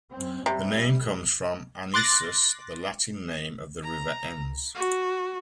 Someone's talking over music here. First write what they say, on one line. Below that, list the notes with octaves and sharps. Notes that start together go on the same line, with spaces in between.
The name comes from "Anisus", the Latin name of the river Enns.
F#2 C4
C3 G3
C6 D6 F#6 A6 A#6
A#5
F#4